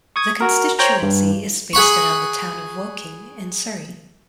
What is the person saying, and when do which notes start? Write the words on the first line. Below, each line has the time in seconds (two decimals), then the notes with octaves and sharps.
The constituency is based around the town of Woking in Surrey.
0.16 C#6 D#6 G#6
0.41 F#4 A#4
0.79 C5 C#5 G5 A#5
1.03 G2
1.73 G#4 F#5 B5 C#6